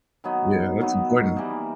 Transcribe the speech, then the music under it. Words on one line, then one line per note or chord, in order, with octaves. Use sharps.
Yeah, that's important.
D#3 F#3 B3 D#4
D#3 F#3 B3 D#4
E3 G3 A#3 D#4